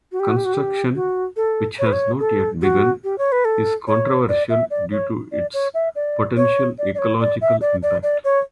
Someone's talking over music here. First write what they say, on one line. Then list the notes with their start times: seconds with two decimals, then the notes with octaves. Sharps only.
Construction, which has not yet begun, is controversial due to its potential ecological impact.
0.12 F#4
0.20 G4
0.29 F#4
0.37 G4
0.45 F#4
0.54 G4
0.95 F#4
1.36 A4
1.79 C#5
1.86 B4
1.93 C#5
2.20 A4
2.62 F#4
3.04 G4
3.18 C#5
3.32 B4
3.45 A4
3.87 C#5
4.29 D5
4.50 E5
4.71 D5
4.92 C#5
5.32 D5
5.54 C#5
5.74 E5
5.95 D5
6.37 C#5
6.79 D5
6.95 D5
6.99 C#5
7.21 D5
7.41 E5
7.61 D5
7.83 D5
8.03 D5
8.24 C#5